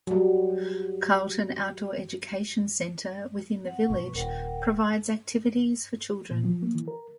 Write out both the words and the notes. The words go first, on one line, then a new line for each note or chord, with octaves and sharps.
Carlton Outdoor Education Centre within the village provides activities for children.
F#3 G3
C4 F#5
B1 G2 B2 B4 C#6
D#1 A#4 F#5 G5
A#2
F3
A#3
E3
A#4